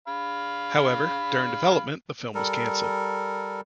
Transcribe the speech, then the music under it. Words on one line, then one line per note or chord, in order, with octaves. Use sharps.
However, during development the film was cancelled.
F5 B5
G3 A4 A#4